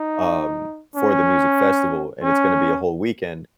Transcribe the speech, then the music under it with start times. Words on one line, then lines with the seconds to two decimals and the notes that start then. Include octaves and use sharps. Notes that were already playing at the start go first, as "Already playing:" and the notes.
um, for the music festival, and it's gonna be a whole weekend,"
Already playing: D#4
0.96 C#4
2.23 C#4